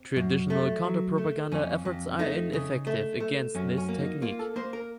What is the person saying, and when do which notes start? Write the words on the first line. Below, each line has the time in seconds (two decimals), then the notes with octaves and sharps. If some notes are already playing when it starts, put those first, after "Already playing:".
Traditional counterpropaganda efforts are ineffective against this technique.
Already playing: C4
0.16 F#2
0.50 A3
0.84 F#3
1.18 A3
1.52 F2 C#4
1.85 F2
2.19 A3 D#4
2.53 C#3
2.87 A3
3.20 A3
3.55 F#2 C#4
3.77 C#4
3.89 A#3
4.00 D#4
4.22 A#3 F4
4.39 A4
4.56 A#3 C5
4.73 A#4